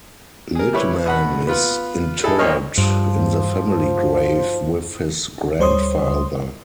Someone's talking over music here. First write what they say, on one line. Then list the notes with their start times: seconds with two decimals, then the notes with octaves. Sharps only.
Lidman is interred in the family grave with his grandfather.
0.55 G#4 A#4
0.73 G3 E4 B4 C#5
1.06 B2 F#5 B5
1.47 B3 F4 B4
2.23 D#4 E4 G#4 A4 B4
2.39 B1 A#2 C#5 D#5 F6
2.78 G2 F3
5.59 D2 G3 C5 C#5 C6 D#6